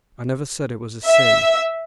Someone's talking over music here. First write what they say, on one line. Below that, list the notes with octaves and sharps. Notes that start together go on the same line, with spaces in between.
"I never said it was a sin."
E5